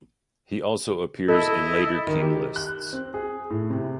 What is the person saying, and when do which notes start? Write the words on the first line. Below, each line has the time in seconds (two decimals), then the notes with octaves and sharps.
He also appears in later king lists.
1.28 E4 A4 D#5
2.07 D#3
2.21 G4
2.56 F#6
2.93 C4
3.14 G#4
3.50 A2
3.70 C3